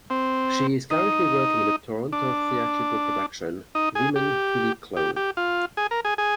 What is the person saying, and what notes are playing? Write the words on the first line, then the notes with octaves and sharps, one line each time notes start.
She is currently working in the Toronto theatrical production, Women Fully Clothed.
C4
D#4
D4
D#4
G#4
G4
G4
G4
F4
G#4
A#4
G#4
G#4